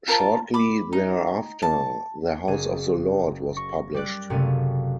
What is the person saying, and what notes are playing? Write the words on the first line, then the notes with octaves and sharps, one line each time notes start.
Shortly thereafter, "The House of the Lord" was published.
F4 A#4 C5 A5
B5 D6
D#4
A5
F#1 G#4 D#7
C#6 A#6
G3 D5 F#6
F#1 C3 A3 F#4 F5 D#7